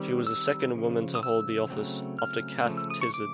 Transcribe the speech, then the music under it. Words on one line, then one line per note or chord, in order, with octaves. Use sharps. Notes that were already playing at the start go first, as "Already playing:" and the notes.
She was the second woman to hold the office, after Cath Tizard.
Already playing: D#3 G3 C4
E6
C#3 F3
D#6
E6
C#3 F#3 A3 C4
F6
C#3 F3 A3
E6
D#6
C#6
D6